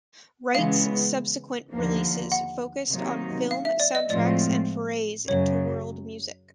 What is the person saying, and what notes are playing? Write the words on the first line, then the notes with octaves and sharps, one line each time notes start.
Wright's subsequent releases focused on film soundtracks and forays into world music.
C#3 E3 G#3 B3 F5
D#2 D3 F3 A#3
F#5
C3 D#3 F#3 A#3 D#4
F5
E5
D5
D#5
A2 F3 G#3 C4 F4 D5
F#2 C#3 F#3 C#5